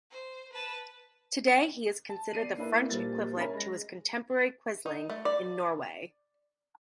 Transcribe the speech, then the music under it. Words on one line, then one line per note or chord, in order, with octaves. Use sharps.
Today, he is considered the French equivalent to his contemporary Quisling in Norway.
C5
B4 A5
A5
B3 D5 C7 D#7
A#3 D4 E4 A4 B4
A#2 G3 A#3 A4 C5 A6
C#4 A#4 E5 G#5 B5
G#3 A#6
D#4
A3
D5